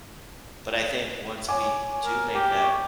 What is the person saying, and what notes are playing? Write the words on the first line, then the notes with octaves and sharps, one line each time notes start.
but I think once we do make that,
C#5 G#5 D6
A#4
G4
C#6